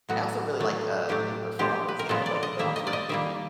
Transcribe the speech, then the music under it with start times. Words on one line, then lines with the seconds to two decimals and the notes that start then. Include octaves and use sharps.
I also really like, uh, paper frogs, you know, like the ones where you can, like,
0.09 A2 F#3 B3 F#4
0.59 A2 F#3 A3
1.09 A2 F#3 A3 G4
1.59 A#2 F3 G#3 B3 G4
1.88 B4
1.99 A#4
2.09 A#2 F3 G#3 B3 A4
2.26 D5
2.43 D#5
2.59 D#3 G3 A#3 E5
2.76 D#5
2.87 D5
2.93 D#5
3.09 D#3 G3 A#3 E5